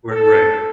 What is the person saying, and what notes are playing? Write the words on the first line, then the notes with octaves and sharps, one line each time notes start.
R right.
A4